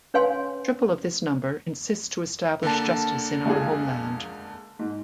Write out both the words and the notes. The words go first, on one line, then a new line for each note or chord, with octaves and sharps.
Triple of this number insists to establish justice in our homeland.
C#4 B4 C#5 F5 G#5 C6
D3 A#3 A5
C#2 F4 G#4
G#2